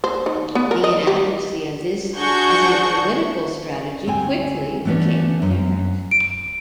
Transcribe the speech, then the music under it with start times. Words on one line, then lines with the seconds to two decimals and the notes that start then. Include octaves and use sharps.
The inadequacy of this as a political strategy quickly became apparent.
0.04 C5
0.26 D#3
0.55 B3
0.71 A#4
0.84 D#5
1.07 G4
2.16 D4 F#4 G#4 C#6 G6
4.06 D2 C4 G#5
4.85 E3 A3 B3 C#4 D4
5.42 F#2
6.11 D7